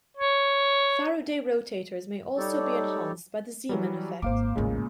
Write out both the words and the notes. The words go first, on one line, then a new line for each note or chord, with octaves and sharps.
Faraday rotators may be enhanced by the Zeeman effect.
C#5
G3 D#4 G4 A4 C#5 D5
E3 F#3 G3
D#1 G#1 A#3 C5 F5 D6
A1 D#2 A#2 C#3 G#3